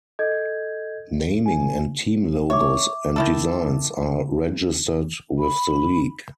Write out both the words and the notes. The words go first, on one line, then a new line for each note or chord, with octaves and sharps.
Naming and team logos and designs are registered with the league.
A4 D#5 G6 G#6
G#5
C#5 E5 D6
D#3 E4 A4
B5